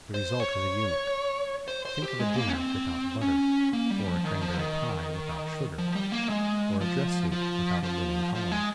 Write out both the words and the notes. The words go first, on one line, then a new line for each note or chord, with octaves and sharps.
The result is a unit. Think of a dinner without butter, or a cranberry-pie without sugar, or a dress-suit without a linen collar.
C5
C#5
C5
C5
G4
G#3
A#3
C#4
C4
C#4
A#3
G3
F3
D#3
F3
D#3
F3
G3
A#3
G#3
F3
F3
F3
F3
G#3